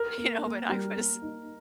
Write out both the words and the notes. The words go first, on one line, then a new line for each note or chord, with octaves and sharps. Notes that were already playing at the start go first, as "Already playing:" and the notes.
you know, but, I was
Already playing: A#4
A#3
A#3
G3
A#3
D#4